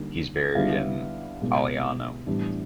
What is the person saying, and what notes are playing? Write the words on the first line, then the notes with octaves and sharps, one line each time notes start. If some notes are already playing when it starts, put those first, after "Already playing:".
He is buried in Aliano.
Already playing: D3 G3 A#3 D#4
D3 G3 B3 E4 F5
B2 G#3 B3 E4
A2 E3 G3 B3 D4